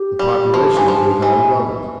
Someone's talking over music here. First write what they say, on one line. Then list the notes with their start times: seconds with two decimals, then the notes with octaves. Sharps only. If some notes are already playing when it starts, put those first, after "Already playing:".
The population meantime doubled.
Already playing: G4
0.19 G3
0.54 F3
0.77 E3
0.88 F3
1.22 E3